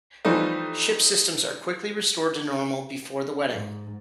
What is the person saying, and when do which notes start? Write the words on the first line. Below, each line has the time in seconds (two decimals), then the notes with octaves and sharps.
Ship systems are quickly restored to normal before the wedding.
0.25 E3 F3 G3 A3 D#4
3.50 G#2